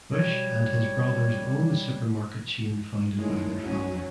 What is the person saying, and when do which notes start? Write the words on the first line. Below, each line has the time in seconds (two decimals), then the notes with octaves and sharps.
Busch and his brothers own the supermarket chain founded by their father.
0.10 B2 G3 C#5
3.19 A2 D3 D#3 G#3
3.63 B1 F#3 C#4